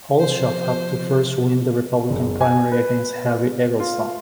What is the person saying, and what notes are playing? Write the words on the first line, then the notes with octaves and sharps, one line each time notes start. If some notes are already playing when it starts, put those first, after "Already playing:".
Hulshof had to first win the Republican primary against Harry Eggleston.
C3 F3 C5
F#1
G#5
B4
F4